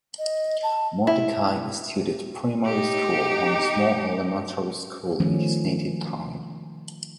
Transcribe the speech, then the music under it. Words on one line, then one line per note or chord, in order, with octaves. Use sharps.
Mordecai studied primary school on a small elementary school in his native town.
D#5
A5
E4
D#4 G4
D#3 F3 A3 C#4